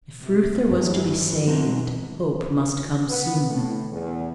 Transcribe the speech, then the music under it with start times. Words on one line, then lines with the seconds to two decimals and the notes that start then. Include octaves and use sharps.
If Reuther was to be saved, hope must come soon.
0.20 C3
0.69 G2 E3 F#3 G3
1.47 B2 D3 E3 C4 D#4
3.08 B3
3.49 A2
3.92 E2